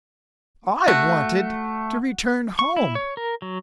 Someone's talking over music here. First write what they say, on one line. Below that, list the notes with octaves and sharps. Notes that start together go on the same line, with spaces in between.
I wanted to return home.
A3 F#4
C#6
E4
C#5
A#4
F#3